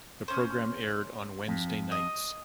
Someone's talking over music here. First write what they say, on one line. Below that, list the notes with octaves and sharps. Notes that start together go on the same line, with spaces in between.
The programme aired on Wednesday nights.
C#4 C5
F2
D#5